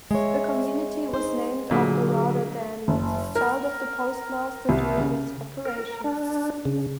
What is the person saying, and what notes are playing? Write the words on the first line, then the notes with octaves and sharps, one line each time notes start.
The community was named after Rada Dany, child of the postmaster during its operation.
G#3 C#5 E5
D#4 C5
A#2 D3 F#3 A3 G#4
F#1
A#4
C2
C#3
A#4
D4
C#3